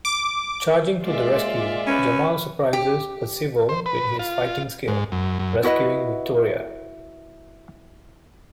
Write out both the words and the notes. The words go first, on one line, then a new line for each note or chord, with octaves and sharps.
Charging to the rescue, Jamal surprises Percival with his fighting skills, rescuing Victoria.
D6
A#2 G#3 F4 D5 E5
C#4 B4
G4
C5
B4
F4
G#2
F#2
F#2
E4 F#4 B4 D#5